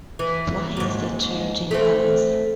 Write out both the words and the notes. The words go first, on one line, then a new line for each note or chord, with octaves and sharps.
Why is there charge imbalance?
E3
D#2 G#2
A3 C4